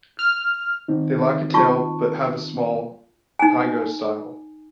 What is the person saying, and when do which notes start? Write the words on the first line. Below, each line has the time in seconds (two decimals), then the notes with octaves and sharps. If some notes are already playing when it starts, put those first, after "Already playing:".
They lack a tail, but have a small pygostyle.
0.19 F6
0.88 D#3 C4 D#4
1.54 F4 A5 C#6
3.39 D#4 G#5